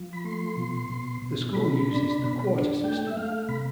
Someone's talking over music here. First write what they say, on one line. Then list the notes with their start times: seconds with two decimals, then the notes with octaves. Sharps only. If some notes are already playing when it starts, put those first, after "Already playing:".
The school uses the quarter system.
Already playing: F3
0.13 B5
0.24 A3 C6
0.57 B2
0.90 B2
1.22 B2
1.54 B2 B5
1.87 D4
2.19 B2
2.52 D4
2.84 A3 G5
3.07 E5
3.16 A3 F5
3.48 C3 B5